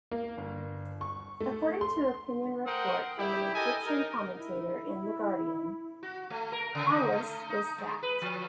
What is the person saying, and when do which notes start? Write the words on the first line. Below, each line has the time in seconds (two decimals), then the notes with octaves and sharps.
According to opinion report from an Egyptian commentator in "The Guardian," Hawass was "sacked".
0.11 A#3
0.38 G1
1.01 C#6
1.40 A3
1.81 C6
2.66 A3 A#4 C5 F#5 G5 D#6
3.18 E4 G4
3.55 G4 A4 A#4 D#5 G#5
3.86 D#4 A#4
4.33 E4
6.03 F#4
6.30 A3
6.52 A#4
6.75 C#3
6.92 D#4
7.13 A3
7.49 D#4
7.78 G#3
8.03 B4
8.22 F3